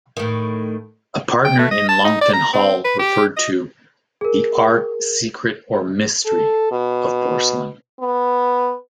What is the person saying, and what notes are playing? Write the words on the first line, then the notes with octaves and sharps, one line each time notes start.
A partner in Longton Hall referred to "the Art, Secret or Mystery" of porcelain.
A2 D#3
G5
A3
D#5
A5
D#4
D5
A#5
C4
B4
G4
D#5
G#4 A#4
A4
B2
B3